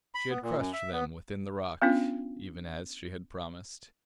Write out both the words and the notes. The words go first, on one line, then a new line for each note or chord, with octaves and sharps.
She had crushed them within the rock--even as she had promised.
B5
B3
A#2
F#2
E5
B3
B3 C#4 D4 F4